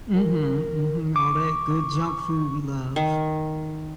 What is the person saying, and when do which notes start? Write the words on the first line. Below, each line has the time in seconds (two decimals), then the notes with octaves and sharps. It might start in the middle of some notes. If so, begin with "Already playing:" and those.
Mhm, mhm, all that good junk food we love.
0.15 A#4
1.16 C#6 D6
2.96 D#3